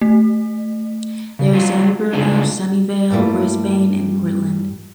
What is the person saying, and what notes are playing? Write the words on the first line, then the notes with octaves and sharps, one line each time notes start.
They are San Bruno, Sunnyvale, Brisbane, and Portland.
A3
C#3
F#3 G3 F4
C#3 G3 B3 D4 D#4 F4
G2 G3 A3 A#3 E4 F4